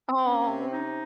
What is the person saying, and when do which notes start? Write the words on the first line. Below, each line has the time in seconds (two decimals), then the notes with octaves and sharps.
Oh, n
0.23 C4 C#4
0.47 C3
0.71 D#4